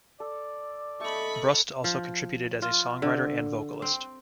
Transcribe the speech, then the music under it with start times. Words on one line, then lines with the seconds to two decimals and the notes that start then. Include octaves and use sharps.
Brust also contributed as a songwriter and vocalist.
0.20 A4 D5
1.01 A3 A4 D#5 B5 C#6
1.84 F3
2.62 F4
3.02 D3
3.82 C4